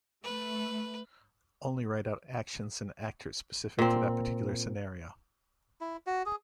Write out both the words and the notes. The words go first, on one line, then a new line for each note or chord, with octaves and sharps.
Only write out actions and actors specific to that particular scenario.
A3 B4
A#2 C4
E4
F#4
G#4